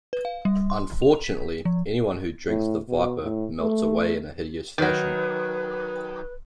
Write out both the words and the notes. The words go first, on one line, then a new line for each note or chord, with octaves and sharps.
Unfortunately, anyone who drinks the Viper melts away in a hideous fashion.
B4
F5
G3
C6
F7
B6
F3
A2
B2
A2
A3
D#3 F#3 B4